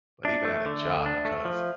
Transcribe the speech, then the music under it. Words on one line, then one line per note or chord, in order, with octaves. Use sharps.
but even at a job, because
D4 E5
A3
D3
D2
D4
A3
F3